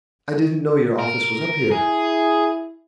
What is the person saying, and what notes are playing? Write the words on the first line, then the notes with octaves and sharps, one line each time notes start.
"I didn't know your office was up here."
A#4
E4 G#4